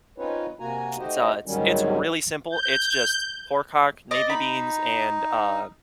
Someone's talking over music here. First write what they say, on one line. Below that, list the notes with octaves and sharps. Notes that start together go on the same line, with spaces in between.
it's uh, it's it's really simple. It's just pork hock, navy beans, and, uh,
C4 C#4 D#4 F4 B4 C#5
C3 A#3 F#4 G#5 A#5
A3 D#4 F#4 G4 C5 D#5
D2 G#2 D#3 F#3 G3 C#4
G6
D5 D#5
D#4 B5